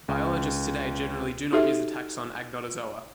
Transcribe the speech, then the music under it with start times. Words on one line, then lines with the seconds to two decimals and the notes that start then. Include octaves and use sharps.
Biologists today generally do not use the taxon Agnotozoa.
0.08 C#2
1.53 D#4 F#4 G4 A4 E5